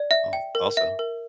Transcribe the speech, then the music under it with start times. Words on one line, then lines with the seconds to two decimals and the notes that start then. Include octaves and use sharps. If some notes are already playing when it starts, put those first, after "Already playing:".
Oh, also
Already playing: D5
0.11 E5
0.33 G5
0.55 A#4
0.77 E5
0.99 A#4